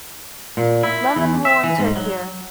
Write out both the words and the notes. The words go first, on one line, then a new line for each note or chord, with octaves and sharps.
Lemon Hall in Tokyo.
A#2
E4
E2
E5
E3
G#2
F#3